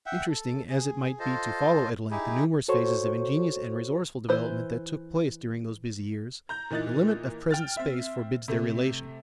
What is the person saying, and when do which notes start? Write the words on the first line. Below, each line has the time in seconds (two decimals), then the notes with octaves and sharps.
Interesting as it might be to follow at length the numerous phases of ingenious and resourceful development that took place during those busy years, the limit of present space forbids their relation.
0.06 E5 F#5 G5
0.28 A4
0.69 G#4
1.19 F4 A4 C5 D#5
2.11 D#4 E4 G4 G#4
2.68 F#4 A4 C5 C#5 C#6
4.29 E3 C5
6.49 A#5 G6
6.70 A#2 E3 D#4 F#6 A6
7.51 G5 F6 A6
7.77 C4 E5
8.48 C3 A3